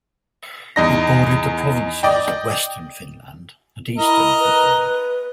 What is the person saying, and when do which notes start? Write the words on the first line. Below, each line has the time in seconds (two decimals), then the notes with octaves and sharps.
It bordered the provinces of Western Finland and Eastern Finland.
0.76 E2 D#4 A#6
2.03 D5 D#5 G5
3.98 E4 A#4 D#5
4.40 B4